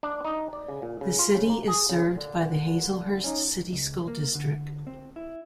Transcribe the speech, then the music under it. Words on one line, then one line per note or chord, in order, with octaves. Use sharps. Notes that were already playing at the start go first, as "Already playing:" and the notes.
The city is served by the Hazlehurst City School District.
D4
D#4
D5
C#3
A#2
C#3
F4
C#3
A#3
G#4
C#3
A#2 D3
C#4 D#4
C#2
A#3
D3
C4
E4